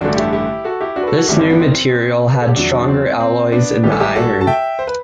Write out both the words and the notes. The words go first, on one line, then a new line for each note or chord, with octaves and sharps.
This new material had stronger alloys in the iron.
A1 G2 D3 A3 D4 F#4
E4 G4
E4 G4
F#4 A4
E4 G4
D4 F#4
B4
F#4 A4
F#4 A4
G1 G2 E3 G3 E4 G4
C4
B3
C4
B4
A4
G4
E2 D3 F#3 D4 F#4
D4
C4
C4
B3 D4
A1 A2 E3 G3 G4
A4
E4 G4
F#4 A4
A5
E5 G5
C5
B4